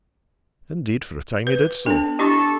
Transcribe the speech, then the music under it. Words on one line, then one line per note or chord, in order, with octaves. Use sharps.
Indeed, for a time, he did so.
B4
B3 D4 A4
D4 E4 G4 A4 D#5 C#6 D6